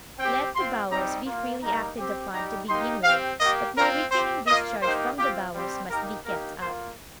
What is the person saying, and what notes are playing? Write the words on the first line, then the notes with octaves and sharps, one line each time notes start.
Let the bowels be freely acted upon to begin with, but no weakening discharge from the bowels must be kept up.
C4 G4 G5
C4 F4 C6
G3 C4 D#4 G4 A#5
A#3 F4
G3 A#3 D#4 A#5
C4 G4
G3 D#4 G4 A#5
A#3 D#4 G4 C6
C4 G4 F5
A#3 G4 D#5
C4 F4 A#4
C4 G4 C5
A#3 F4 D#5
A#3 D#4 G4 C5
C4 F4 G4
G3 C4 G4
A#3 D#4 G4 A#4
A#3 D#4 G4 A#4
A#3 F4 C5